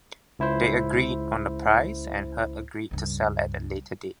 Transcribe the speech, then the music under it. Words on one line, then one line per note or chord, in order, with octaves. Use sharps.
They agreed on a price and Hurd agreed to sell at a later date.
C#2 E4 C5
C#2 G2